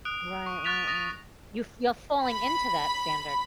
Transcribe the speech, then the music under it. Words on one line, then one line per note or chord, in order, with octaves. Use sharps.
Right, right, right. You're you're falling into that standard.
D#6 F#6 D7
C#6
C#6 F#6 A6 B6 F7
D#6 A6 A#6
B5